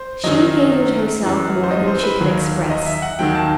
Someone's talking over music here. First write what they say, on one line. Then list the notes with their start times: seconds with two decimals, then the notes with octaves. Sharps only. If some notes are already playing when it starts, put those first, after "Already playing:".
She hated herself more than she could express.
Already playing: C5
0.24 F#2 D#3 F#3 D#5
1.22 F#2 E3
1.63 C5
1.71 D#5
1.88 C5
2.03 B4
2.21 D#2 D#3 F#3
2.70 D#5
2.86 E5
3.02 F#5
3.19 D#2 D#3 F#3 G5
3.35 A5